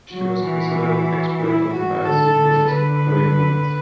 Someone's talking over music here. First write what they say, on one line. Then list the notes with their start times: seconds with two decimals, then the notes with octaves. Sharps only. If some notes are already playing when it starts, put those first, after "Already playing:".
She was considered an expert on the biosynthesis of polyamines.
0.11 F#3 F#4
0.44 E3
1.40 E4
1.73 F#4
2.05 D3 A4
2.37 D3
2.69 D3 B4